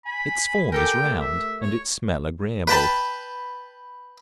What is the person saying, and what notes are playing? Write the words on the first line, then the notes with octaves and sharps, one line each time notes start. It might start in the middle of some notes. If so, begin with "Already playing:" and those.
Its form is round, and its smell agreeable.
G#5 B5
G4 A4 A#4 G5
A3
E5
C#5
B4 G5 A5 B5